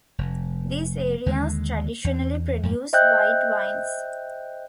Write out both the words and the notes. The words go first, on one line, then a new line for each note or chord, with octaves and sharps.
These areas traditionally produce white wines.
F1
D#2 D3 G#3
E2
F2 G#2
C5 D#5 E5 G5 F#6 G6